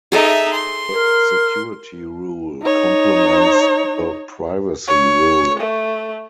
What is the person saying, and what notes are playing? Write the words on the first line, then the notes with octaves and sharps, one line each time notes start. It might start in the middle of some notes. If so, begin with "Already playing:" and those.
The Security Rule complements the Privacy Rule.
D#4 G#4 A4 D#5 E5
C6
A#4
D#4 C#5
C#5
A3